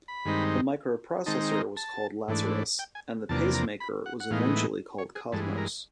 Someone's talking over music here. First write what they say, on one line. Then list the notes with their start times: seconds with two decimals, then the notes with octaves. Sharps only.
The microprocessor was called Lazarus and the pacemaker was eventually called Cosmos.
0.08 B5
0.25 G2 D#3 G#3 C4 D#4
1.26 D#3 G#3 C4 D#4 A5
1.52 A#5
1.77 A5
2.28 G#2 E3 A3 D4
2.79 G5
2.95 G#5
3.29 E2 C3 F3 A#3 D4 A5
3.54 A#5
3.80 B5
4.06 F#5
4.20 F#5
4.30 A2 E3 G#3 B3 D#4 F5
4.56 E5
4.98 C#5
5.15 G#4
5.32 G2 E3 G#3 A4
5.57 A#4